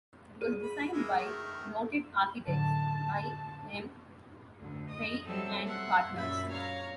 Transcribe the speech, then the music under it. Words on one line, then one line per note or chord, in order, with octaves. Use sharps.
It was designed by noted architects I. M. Pei and Partners.
G#4 D#7
B5
G#3 A#3 E5
D#3 A3
A2 D3 F#3 A5
D2
D#5 D#6
F#3 G3 C4 A4 E5
E5 F#5 C6
F#2 A#2 E5 B5 A6
C#5 F5 A#5